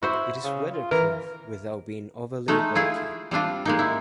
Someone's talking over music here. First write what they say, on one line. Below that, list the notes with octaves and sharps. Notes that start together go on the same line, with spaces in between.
It is weatherproof without being overly bulky.
E4 F#4 C5
C#3
F4
E3 A#4
G#3 A3 D#4
E4 F4 G#4
G3 C4 D4 F4
G#3 A#3 D#4
E4